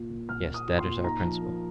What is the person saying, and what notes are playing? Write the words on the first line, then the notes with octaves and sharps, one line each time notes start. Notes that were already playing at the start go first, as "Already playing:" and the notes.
Yes; that is our principle.
Already playing: A#2 A#3 F4
A#2
A#2 F6
A#3
D#6
F4
C6
A#2
D#4 A#5
F3
A#3